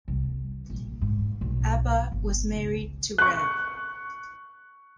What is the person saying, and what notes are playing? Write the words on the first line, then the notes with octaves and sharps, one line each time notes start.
Abba was married to Rev.
C2
A#1
G#2
B1
G1
C#2
C#6 F#6